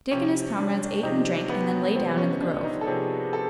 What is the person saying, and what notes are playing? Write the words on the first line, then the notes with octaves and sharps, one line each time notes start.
Dick and his comrades ate and drank, and then lay down in the grove.
C3 F3 C#4
D4
C3 F3 D#4
B3
C3 F3 C4
C#4
D4
D#4
A4
C3 F3 G#4
A4